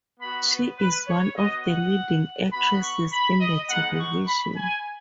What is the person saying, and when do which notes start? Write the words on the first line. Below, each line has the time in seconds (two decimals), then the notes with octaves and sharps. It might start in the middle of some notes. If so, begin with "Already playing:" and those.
She is one of the leading actresses in the television.
0.20 B3 F#4 B5
0.49 B4
0.78 B4
1.08 C#5
1.36 B3 F#4 D#5
1.65 F#5
2.52 B3 F#4 B5
2.82 C#6
3.11 B5
3.41 D#5
3.69 G#3 B3 D#4 F#5
3.98 C#6
4.27 B5
4.56 G#5